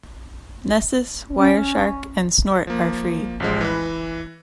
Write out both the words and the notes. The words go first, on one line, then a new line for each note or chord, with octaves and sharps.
Nessus, Wireshark, and Snort are free.
C#4
F3 A#3
A1 F3 G#3
E3 B4